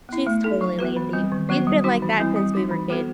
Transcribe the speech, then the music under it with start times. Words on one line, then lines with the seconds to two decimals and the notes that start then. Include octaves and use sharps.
She's totally lazy, she's been like that since we were kids.
0.09 B3 E4
0.27 A3
0.44 D#4 A4
0.61 F#3
0.79 B3 F#4 B4
0.97 E3
1.13 G3 C4
1.32 D#3
1.49 F#3 B3 F#4 C5
1.67 G3
1.84 D#4 F#4
2.02 E3
2.19 G3 C4 E4
2.36 G3
2.54 D#4 F#4
2.71 E3
2.90 B3 F#4 A4 C5